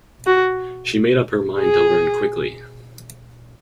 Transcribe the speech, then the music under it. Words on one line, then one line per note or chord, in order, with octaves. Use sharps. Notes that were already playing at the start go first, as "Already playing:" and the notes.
She made up her mind to learn quickly.
F#4
G#4